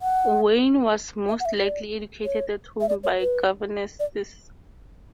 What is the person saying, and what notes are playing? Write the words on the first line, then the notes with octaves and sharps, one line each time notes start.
Wynne was most likely educated at home by governesses.
F#5
E5
F#5
E5
D5
C#5
E5
D5
C#5
B4
D5